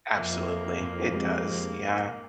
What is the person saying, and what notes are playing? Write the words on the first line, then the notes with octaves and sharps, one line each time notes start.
Absolutely, it does, yeah.
F2 A#3 E5
G#3 G4 G#4